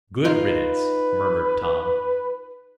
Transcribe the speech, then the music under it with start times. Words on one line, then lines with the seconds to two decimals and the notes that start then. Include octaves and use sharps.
"Good riddance," murmured Tom.
0.25 D#4 F4 B4